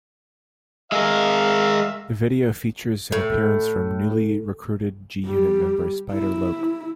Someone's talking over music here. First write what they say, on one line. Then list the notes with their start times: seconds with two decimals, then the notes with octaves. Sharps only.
The video features an appearance from newly recruited G-Unit member Spider Loc.
0.92 G#3 A#4 E5 F5
3.12 A2
5.26 G3
6.12 E4